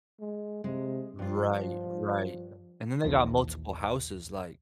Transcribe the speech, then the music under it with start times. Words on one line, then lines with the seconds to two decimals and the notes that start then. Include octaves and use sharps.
Right. Right. And then they got multiple houses, like
0.20 G#3
0.64 C3 G#3
1.19 G2 F3 F4
3.04 A#1 D#2 E3 F3